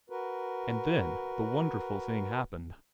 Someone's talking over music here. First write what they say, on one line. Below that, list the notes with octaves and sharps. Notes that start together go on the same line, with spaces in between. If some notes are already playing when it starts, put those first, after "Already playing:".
And then the wonderful thing happened.
F#4 A#4 B4